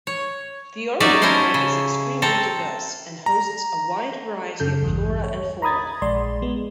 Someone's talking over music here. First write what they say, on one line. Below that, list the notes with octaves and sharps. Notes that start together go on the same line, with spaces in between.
The Orinoco is extremely diverse and hosts a wide variety of flora and fauna.
C#5
F#3 C#4 D#4 D5 E5
C#4 E4 A4 A#4 C5
C#3
C4 A4 A#4
A#5
F#2 C#3 A4 G6
A1 E2 G2
C#5
A#5 B5 D#6 G#6 A6
A#1 G#3 D5 C6
G#3 B3